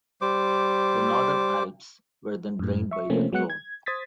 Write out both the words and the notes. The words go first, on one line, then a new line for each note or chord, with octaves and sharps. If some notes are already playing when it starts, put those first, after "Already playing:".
The northern Alps were then drained by the Rhone.
G3 C5 D6
F#2 A2
E5 C#6
C3 F3 A3 A#3 C4 C#4
F#3 G#3 B3 F#5 F#6 C#7
G#6
C5 D#6 G#6 A6 B6